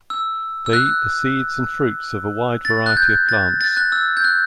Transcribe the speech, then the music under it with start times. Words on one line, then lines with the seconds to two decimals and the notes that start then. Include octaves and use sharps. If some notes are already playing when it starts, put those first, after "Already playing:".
They eat the seeds and fruits of a wide variety of plants.
0.10 E6
0.66 E6
0.73 F#6
2.65 A6
2.86 F#6
2.97 G6
3.29 A6
3.61 A6
3.77 F#6
3.92 E6
4.17 G6
4.24 F#6